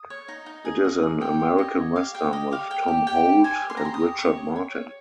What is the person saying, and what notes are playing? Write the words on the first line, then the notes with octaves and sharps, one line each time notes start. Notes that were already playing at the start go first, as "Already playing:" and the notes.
It is an American western with Tom Holt and Richard Martin.
Already playing: D#6
C#5
D#4
D#4
G#4
D#4
G#4
G4 G5
G4
C#5 D#5
C#5
G4 F5
G4 G5
G4 D#5
G4 F5
G4 G5
G4
G4 G5
G4
C5 G#5
G4
C6
A#5
G4 C6
D#6
G4
G4 C#6
C#5
C#5
C#5